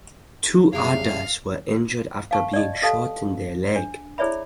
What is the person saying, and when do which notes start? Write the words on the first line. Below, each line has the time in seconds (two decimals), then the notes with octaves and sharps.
Two others were injured after being shot in the leg.
0.73 F#2 A2 C3 G3 C#4 G#4 E5 F5
2.31 F5 A5 C#6
2.53 D5 D#5
2.82 G4 A4 F5 A5
3.76 D4
4.18 E4 G#4 C#5 D5 E5 B5